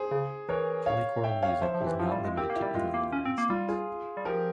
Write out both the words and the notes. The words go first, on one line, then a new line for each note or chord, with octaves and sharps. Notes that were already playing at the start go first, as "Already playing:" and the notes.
Polychoral music was not limited to Italy in the Renaissance.
Already playing: G#4 C5
C#3
E3 A#4 C#5
C#5 F5
E5 G5
C#5 F5
F3 C5 E5
F3
E4 G4
E3
F3 F4
G3
G#3
C4 G4 A#4
A#3
E4 G4
G3
G#3 F4
A#3
C#4
C4
A#3
G3 F4
F4 G#4
G3
F3 G4 A#4